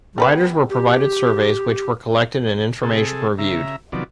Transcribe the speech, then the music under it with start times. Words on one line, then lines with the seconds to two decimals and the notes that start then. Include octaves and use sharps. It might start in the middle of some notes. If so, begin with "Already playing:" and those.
Riders were provided surveys which were collected and information reviewed.
0.18 G3 B3 B4
0.70 G4
2.83 C3 G#4 A4
3.38 C#3 E5 A#5
3.93 C3 D#3 F3 F#3 B3 D5